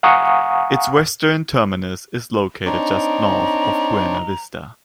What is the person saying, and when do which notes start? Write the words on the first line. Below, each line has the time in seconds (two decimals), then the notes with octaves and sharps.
Its western terminus is located just north of Buena Vista.
0.03 F5 F#5 G#5 A#5 C#6 D#6
2.66 C4 D4 D#4 C#5 A#5